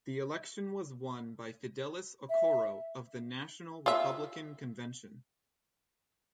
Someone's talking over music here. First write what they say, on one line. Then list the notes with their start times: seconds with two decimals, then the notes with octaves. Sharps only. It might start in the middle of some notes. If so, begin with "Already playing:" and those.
The election was won by Fidelis Okoro of the National Republican Convention.
2.29 E5
3.86 F4 E5